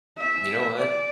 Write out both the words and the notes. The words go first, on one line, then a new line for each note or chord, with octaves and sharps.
You know what?
E5
D5